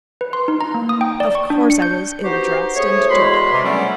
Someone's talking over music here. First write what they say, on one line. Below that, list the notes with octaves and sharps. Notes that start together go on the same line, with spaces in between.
Of course I was ill-dressed and dirty.
B4
C6
D#4
A#5
A#3
D#6
G5
D5
C#6
D4
C#7
G6
B3 D#4 F#4 G4 C5
A3 G#4 C5 C#5
E2 G#3 F#4 B5 C6
C3
D3 F#3 G3 A3 B3 C#4